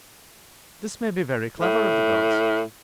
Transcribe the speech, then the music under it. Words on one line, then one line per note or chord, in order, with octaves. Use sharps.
This may be very clever of the gods.
A2